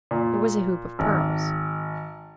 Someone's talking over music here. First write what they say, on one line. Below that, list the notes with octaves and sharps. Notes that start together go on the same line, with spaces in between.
It was a hoop of pearls.
A#2
G#1